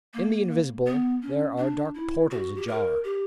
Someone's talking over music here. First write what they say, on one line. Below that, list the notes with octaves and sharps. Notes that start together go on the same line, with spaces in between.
In the invisible there are dark portals ajar.
A#3
B3
C#4
D4
E4
F#4
G4
A#4
G4